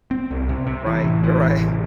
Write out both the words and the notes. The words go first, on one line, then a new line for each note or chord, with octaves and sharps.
R right, right,
C4
C2
C3
C3
E3
A1
E3
A1
C3